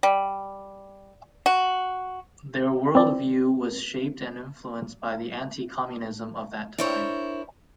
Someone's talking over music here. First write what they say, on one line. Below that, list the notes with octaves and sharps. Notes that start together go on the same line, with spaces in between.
Their worldview was shaped and influenced by the anticommunism of that time.
G3
F#4
C4 D5
D4 E4 A#4 C5 C#5